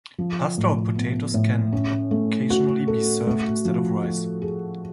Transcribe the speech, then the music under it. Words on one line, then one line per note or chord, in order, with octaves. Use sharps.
Pasta or potatoes can occasionally be served instead of rice.
F3
A2
B3
A2
C#4
A3
F#4
A4
A3
F3
F4
G#4